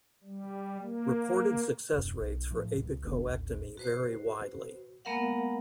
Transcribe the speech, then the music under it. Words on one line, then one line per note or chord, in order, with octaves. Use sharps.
Reported success rates for apicoectomy vary widely.
G3
A#3
D#1 F#2 C3
B1
A2 F3
C#2
F#1 D2 B3 D4
A1 D#2
F#4 B4 C5
G#3 A#3 B3 A#4 F5 F#5